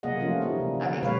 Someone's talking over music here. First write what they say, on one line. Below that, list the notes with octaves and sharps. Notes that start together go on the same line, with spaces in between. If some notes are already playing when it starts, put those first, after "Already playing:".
That makes
C3 F#3 A#3 G#4 D#5 F#5
F3 A3 C#4 F4
E3 G3 A#3 D#4 F4
C3
D3
B2 F#3 G#3 B4 C#5 F5